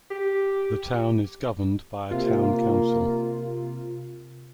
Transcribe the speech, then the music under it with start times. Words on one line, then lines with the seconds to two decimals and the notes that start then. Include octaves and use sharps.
The town is governed by a Town Council.
0.10 G4
2.11 C3 A#3 F4